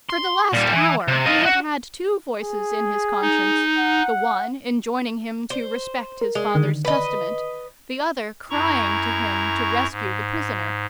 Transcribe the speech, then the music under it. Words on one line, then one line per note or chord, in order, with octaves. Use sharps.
For the last hour he had had two voices in his conscience, the one enjoining him to respect his father's testament, the other crying to him to rescue the prisoner.
C6
A#2 G3
E3
C3
F4 D#5
F#4
G#4
D#4
F#5
C5
A#4
G#3
D3 D#3
B4 D#5
F#2 E4 A#5 C#6
G#2